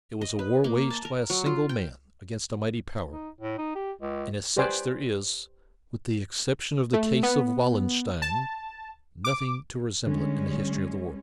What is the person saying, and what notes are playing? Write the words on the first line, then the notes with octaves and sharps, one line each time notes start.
It was a war waged by a single man against a mighty power, and as such there is, with the exception of the case of Wallenstein, nothing to resemble it in the history of the world.
D#5
B4
A#3
A5
A#4
F#3
F4
G5
D#4
A2
D#4
G4
C#2
G4 B4 C5 D5 G5 G#5
A3
B3
A5
D6
D3 G3 G#3 C#4